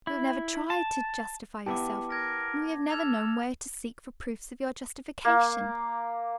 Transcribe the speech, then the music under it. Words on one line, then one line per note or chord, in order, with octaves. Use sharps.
You have never tried to justify yourself, and we have never known where to seek for proofs of your justification.
E4
A5
B3 E4 G4 A5 D6
A#4 G#6 A#6
A4 F6 G#6 F7
A#3